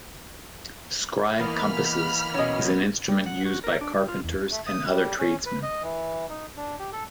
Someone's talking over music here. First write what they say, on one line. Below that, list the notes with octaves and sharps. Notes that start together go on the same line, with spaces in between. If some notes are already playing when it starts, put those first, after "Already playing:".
Scribe-compasses is an instrument used by carpenters and other tradesmen.
E3 A#3 B3 D#5 B5 F6
B2 F#3 C#4 D#5
G3
F#5
F#4
A#4
D4
G3
F4
E2
A3
D#6
G3
C#4
B4
D#5
E3
D#4
D4
G4
A4